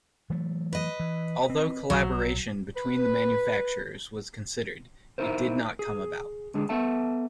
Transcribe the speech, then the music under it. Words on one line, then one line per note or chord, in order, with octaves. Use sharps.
Although collaboration between the manufacturers was considered, it did not come about.
E3 F#3 A3
B4 D#5
E3
C4
B1 F#3
B4
D#4 E4 A#4 C5
G#4
D3 G#3 D4 G#4
B3 A4 E5 A5